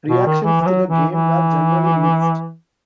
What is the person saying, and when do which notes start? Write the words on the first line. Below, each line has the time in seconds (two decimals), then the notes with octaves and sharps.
Reactions to the game were generally mixed.
0.09 B2
0.26 D#3
0.44 E3
0.61 E3
0.66 F#3
0.89 E3
1.12 E3